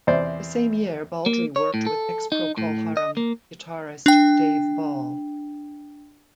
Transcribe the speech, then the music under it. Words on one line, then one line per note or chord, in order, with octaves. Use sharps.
The same year, Baldry worked with ex-Procol Harum guitarist Dave Ball.
E2 C3 C5 D5
A#3
C#5
A2
A4
D#4
A2
D#5
A#3
D4 G5